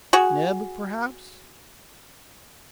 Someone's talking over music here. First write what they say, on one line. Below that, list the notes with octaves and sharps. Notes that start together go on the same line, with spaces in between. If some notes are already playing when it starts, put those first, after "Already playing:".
"Neb, perhaps?"
F#4 G#4